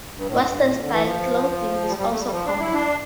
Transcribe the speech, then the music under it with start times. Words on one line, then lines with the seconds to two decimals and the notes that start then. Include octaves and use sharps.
Western-style clothing is also common.
0.16 G2
0.27 A2
0.38 G2
0.48 G2
0.59 A2
0.70 A#2
0.80 D3
0.91 E3
1.02 F3
1.88 G3
1.98 G3
2.09 A3
2.19 G3
2.31 F3
2.45 D4
2.60 E4
2.74 D4